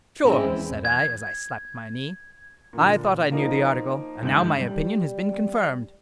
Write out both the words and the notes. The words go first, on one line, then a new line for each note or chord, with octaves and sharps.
"Sure," said I, as I slapped my knee, "I thought I knew the article, and now my opinion has been confirmed."
F3 G#3 C4 C#4 E4
E2
G#6
A#2 D3
F3 A#3 D#4
G1 G#2 G6 F#7
G3